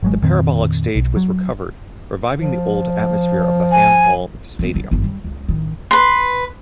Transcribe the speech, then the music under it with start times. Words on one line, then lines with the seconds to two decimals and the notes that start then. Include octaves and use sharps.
The parabolic stage was recovered, reviving the old atmosphere of the Handball Stadium.
0.03 G#1 F#3 G#3
0.22 F2 A#2 D#3 C4
0.96 B1
1.16 F#3
2.37 F3
3.72 G#5
4.59 E3 B3
4.74 D3 G3
4.91 G1 D#3
5.04 G3
5.24 C#2
5.48 A1 D#3
5.91 B4 C6